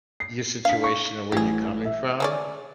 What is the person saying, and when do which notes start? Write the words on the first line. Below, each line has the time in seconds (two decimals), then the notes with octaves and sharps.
your situation and where you're coming from,
0.20 C7
0.65 D4 F5 B6
0.84 C#6
1.32 A1 G4 G#4
1.85 E5
2.20 G#3 C#4 D5